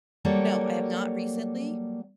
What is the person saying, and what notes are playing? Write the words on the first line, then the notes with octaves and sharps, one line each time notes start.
No, I have not recently.
F#3 G3 A#3 A4 C#5